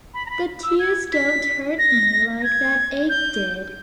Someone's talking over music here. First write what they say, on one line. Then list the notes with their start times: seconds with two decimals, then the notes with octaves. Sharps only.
The tears don’t hurt me like that ache did.
0.14 B5
0.26 A#5
0.30 B5
0.63 E6
0.79 G#6
1.13 B6
1.79 A#6
2.40 A#6
2.43 G#6
3.09 G6